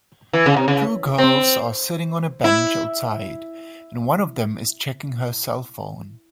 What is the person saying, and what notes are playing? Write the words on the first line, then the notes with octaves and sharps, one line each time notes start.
Two girls are sitting on a bench outside, and one of them is checking her cellphone.
E3
C#3
C3
C#3
C4
E4